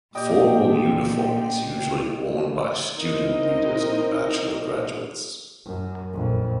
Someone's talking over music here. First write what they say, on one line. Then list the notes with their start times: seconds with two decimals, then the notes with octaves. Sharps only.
Formal uniform is usually worn by student leaders and bachelor graduates.
0.15 A#2 G4 D5 D#5 G5
2.95 C4 D#4 E4 A#4 D#5
5.65 F#2
6.13 A#1 F2